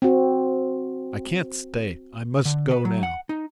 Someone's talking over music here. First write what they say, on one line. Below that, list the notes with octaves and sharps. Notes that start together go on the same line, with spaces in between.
"I can't stay, I must go now...."
C4 F#4
D3
B4
F#3
F#5
D#4